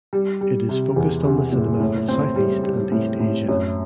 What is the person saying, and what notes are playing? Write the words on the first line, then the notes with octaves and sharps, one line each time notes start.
It is focused on the cinema of Southeast and East Asia.
G3
G3
C3
E2
C3
F#1
A2
C4
G3
G3
A2
A2
F#2